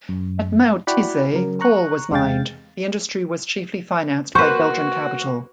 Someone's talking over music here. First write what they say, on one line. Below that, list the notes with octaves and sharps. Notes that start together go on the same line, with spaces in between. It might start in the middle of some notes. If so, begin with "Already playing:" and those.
At Maotize coal was mined; the industry was chiefly financed by Belgian capital.
F#2
E4 F#4 D5 F#5 G5 B5
C#3 F#3 A#4
A#5 C#6 F#6
E2 C3 G#3 F5 G5 A6
A#3 F#4 B4 C5 C#6